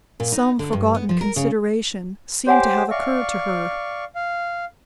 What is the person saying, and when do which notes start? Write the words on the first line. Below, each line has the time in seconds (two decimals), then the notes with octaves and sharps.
Some forgotten consideration seemed to have occurred to her.
0.20 A#2
0.32 D#4
0.59 D3
0.73 G2
0.94 B3
1.09 F3
1.21 A#4
1.36 C#3
2.47 G4 C5 C#5 F#5 G#5
2.91 D5 E5 F5 C#6
4.15 F5